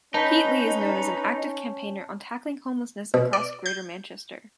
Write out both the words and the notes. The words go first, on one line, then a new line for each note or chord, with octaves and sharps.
Heatley is known as an active campaigner on tackling homelessness across Greater Manchester.
C#4 D#4 B4 A5 G6 B6
B2
D5
G6